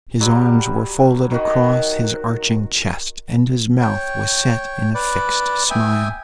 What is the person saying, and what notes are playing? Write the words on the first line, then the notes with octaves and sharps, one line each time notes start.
His arms were folded across his arching chest, and his mouth was set in a fixed smile.
F#3 G3
D#3 F#4
C#5 G5
B4 D5
E5 G5 G#5 D#6